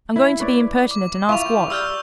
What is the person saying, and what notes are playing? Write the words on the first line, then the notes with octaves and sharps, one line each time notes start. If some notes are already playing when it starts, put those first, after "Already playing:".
I'm going to be impertinent and ask what.
E4
B4 C#5 D5
D6
E4 F4 C#6 F7
G5
G3 E6 F6 G6